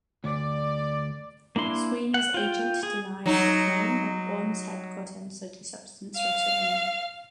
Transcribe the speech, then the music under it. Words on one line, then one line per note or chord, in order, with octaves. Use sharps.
Sweeney's agent denied the claim that Bonds had gotten such a substance from Sweeney.
D2 D5
A#3 D4 E4 C6
F#5
F4 G5
G#4
F#3 D#4
F5